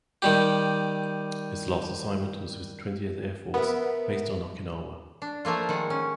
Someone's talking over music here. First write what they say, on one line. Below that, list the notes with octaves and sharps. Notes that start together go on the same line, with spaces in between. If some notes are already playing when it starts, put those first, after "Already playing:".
Its last assignment was with Twentieth Air Force, based on Okinawa.
D#3 G3 G4
B3 A#4 E5
D4
F3 A3 A#3 F4
D#3 G#3 F#5
C#4